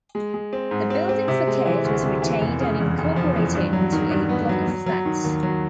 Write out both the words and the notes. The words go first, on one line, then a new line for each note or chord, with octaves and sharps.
The building facade was retained and incorporated into a block of flats.
G#3
G#3
C4
G#2
C4
C4
C3
G#3
E3
D2
C3
E3
F1
C#3
E2
F1
F3
E2
G2
F#3
D#3
G2
B3
F#3
F#3
F#3
D#3
D#2
F#3